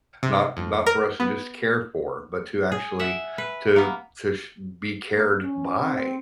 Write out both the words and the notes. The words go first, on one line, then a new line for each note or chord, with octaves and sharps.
not not for us to just care for, but to actually to to sh be cared by.
C3
F2
A#4
B3
G#4
E5 F#5
B4
A#3 B3
A#3
C#4
C4